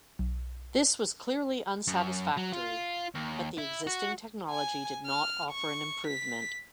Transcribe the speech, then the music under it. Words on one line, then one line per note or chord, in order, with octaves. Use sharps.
This was clearly unsatisfactory, but the existing technology did not offer an improvement.
B1
F#2
F#3
F4
D#2
E4
F#4
G#5
F6
C#6
B6